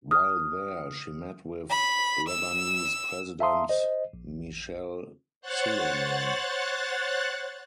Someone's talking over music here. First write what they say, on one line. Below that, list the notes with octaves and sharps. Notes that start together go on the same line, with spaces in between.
While there she met with Lebanese president Michel Suleiman.
D#6 F6
B5
E6
E5 F5 A5 A#5 C6 D#6
C5 D#5
A#1
C5 C#5 F#5 F#6 A6